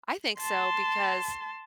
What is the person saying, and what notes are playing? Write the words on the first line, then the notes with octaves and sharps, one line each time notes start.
I think so because
A5 C6